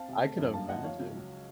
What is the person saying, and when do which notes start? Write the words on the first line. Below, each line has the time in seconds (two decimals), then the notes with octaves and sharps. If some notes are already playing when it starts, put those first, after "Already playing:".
I can imagine.
Already playing: C4 F5 A5
0.08 C3
0.23 A3
0.38 F#2
0.54 A#3 F5 A5
0.68 D#2 D#5 F#5
0.84 F3 C#5 F5
0.99 C#2
1.14 F#3